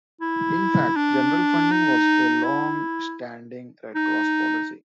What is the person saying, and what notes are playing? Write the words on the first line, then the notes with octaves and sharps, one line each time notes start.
In fact, general funding was a long-standing Red Cross policy.
E4
D4
D#4
E4
D#4